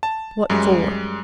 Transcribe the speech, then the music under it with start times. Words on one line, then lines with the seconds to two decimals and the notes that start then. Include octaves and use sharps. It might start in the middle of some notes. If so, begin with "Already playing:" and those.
What for?
0.03 A5
0.50 F#2 G3 G#3